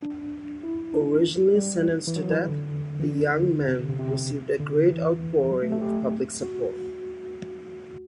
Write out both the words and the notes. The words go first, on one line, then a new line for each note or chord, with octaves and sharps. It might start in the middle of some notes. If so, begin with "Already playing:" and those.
Originally sentenced to death, the young men received a great outpouring of public support.
D4
E4
D4
G3
E3
F#3
E3
D3
E3
D3
C3
D3
C3
C3
D3
E3
F#3
A3
A3
G4
F#4